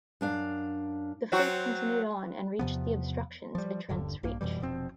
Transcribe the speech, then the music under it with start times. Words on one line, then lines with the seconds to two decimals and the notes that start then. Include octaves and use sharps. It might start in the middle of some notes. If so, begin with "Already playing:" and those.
The fleet continued on and reached the obstructions at Trent's Reach.
0.21 F#2 D4 F5
1.32 F#3 C4 F#4
2.59 E2 C3 F3 B3
3.55 F3 G3
3.89 D#1 G2 D3
4.23 A#1 G2 A#3
4.41 F2 B2 E3 G3
4.60 F1 B2 F3 C4